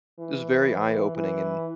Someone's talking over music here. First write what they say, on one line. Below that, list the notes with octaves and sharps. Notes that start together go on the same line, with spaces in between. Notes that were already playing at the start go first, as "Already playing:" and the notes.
it was very eye opening, and
E3
E3